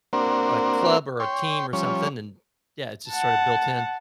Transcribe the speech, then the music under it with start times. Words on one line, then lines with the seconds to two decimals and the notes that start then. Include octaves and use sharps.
a club or a team or something, and Yeah, it's just sorta built-in,
0.13 A#3 C4 D4 F#4 A#4 C5
1.20 C#5 G5 C6
1.73 F3 G3 C#4 C#5
3.10 F#5 A5